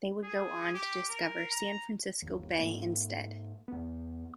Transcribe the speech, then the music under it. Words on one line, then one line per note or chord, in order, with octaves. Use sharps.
They would go on to discover San Francisco Bay instead.
G#4
G4
A#4
A#5
G1 D#2
G#2 A#3
E2 B3